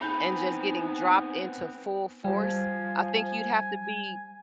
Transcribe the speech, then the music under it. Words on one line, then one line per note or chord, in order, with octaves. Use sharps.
and just getting dropped into full force, I think you'd have to be
B3 C4 D#4 G#5 B5 G6
F3 G3 G#5